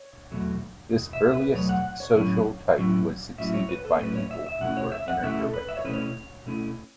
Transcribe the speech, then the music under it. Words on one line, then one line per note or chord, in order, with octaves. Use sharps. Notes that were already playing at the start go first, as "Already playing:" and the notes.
This earliest social type was succeeded by people who were inner-directed.
Already playing: C#5
E2 B2 F#3 A3
E2 B2
E5
B4
E2 B2 F#3 A3 C#5
F#5
C#5
A2 F#3 C#4 E4
A2 F#3 C#4 E4
A2 F#3 C#4 E4 E5
C#5
B4
A4
A2 F#3 C#4 E4 B4
C#5
E5
E5
B2 A3 C#4 E4 F#5
C#5
E5
F#5
B2 A3 C#4 E4 E5
A4
B4
E5
C#5
B2 A3 C#4 E4 B4
C#5
B2 A3 C#4 E4